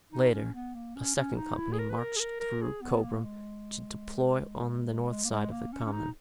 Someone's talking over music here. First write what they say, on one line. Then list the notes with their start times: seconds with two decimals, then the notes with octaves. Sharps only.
Later a second company marched through Chobham to deploy on the north side of the common.
0.13 D#4
0.33 C#4
0.54 B3
0.75 A#3
0.96 C#4
1.16 C#4
1.37 D#4
1.58 E4
1.73 G#4
1.79 A#4
1.90 B4
1.98 A#4
2.16 G#4
2.20 A#4
2.40 A#4
2.61 G#4
2.82 B3
3.03 A#3
3.24 G#3
5.11 G#3
5.25 A#3
5.30 G#3
5.51 A#3
5.72 C#4
5.86 C#4
5.93 D#4